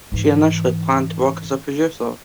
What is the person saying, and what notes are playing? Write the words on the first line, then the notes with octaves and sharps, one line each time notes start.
She initially planned to work as a producer.
G#2 E3